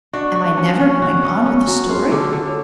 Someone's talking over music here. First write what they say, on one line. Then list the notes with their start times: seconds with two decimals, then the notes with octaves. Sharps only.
Am I never going on with the story?
0.13 D4 F#4
0.35 F#4
0.57 C#4
0.79 C#4
1.02 F#4
1.23 C#4
1.46 C#4
1.67 F#3
1.89 F4 G#4
2.11 D3
2.18 A4
2.33 D3
2.47 C#5